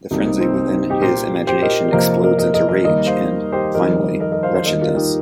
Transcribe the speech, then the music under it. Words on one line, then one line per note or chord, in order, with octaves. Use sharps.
The frenzy within his imagination explodes into rage and, finally, wretchedness.
C2 C3 G3 A#3 D#4
D#4
C4
D#4
D#4
D#4 G4
A#2 A#3 G4 C5
G4 C5
A#4 D#5
F2 C3 F3 A#3 A#4 D#5
A#4 D#5
A#4 D#5
A#4 D#5
A#4 D#5
D#2 D#3 G3 A#3 A#4 D#5
C5 F5
G4 C5
F2 D#3 G3 A#4 D#5
A#4 D#5
A#4 D#5
C5 F5
C5 F5
D#2 D#3 G3 A#3 A#4 D#5
F4 A#4
D#4 G4